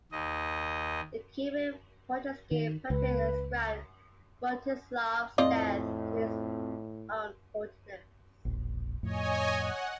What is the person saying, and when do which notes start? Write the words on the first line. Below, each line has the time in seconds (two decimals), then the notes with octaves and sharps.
The Kievan-Pechersky Paterick ascribed Rostislav's death to his own haughtiness.
0.12 D#2 D#5
2.51 D#3
2.90 C#2 B4
5.38 F2 A2 C4 F4 D5 D#5
8.45 E1 A#1
9.03 F2 A2 C#5 D#5 G#5
9.57 F#5